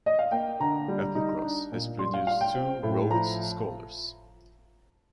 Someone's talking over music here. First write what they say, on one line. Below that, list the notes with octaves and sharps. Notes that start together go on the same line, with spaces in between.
Applecross has produced two Rhodes Scholars.
D#5
F5
A#3 G5
D3 A#5
G3
D#4
D4
A#2
G3 C6
F5
F4 F5
G5
C4
A2
F3 A#5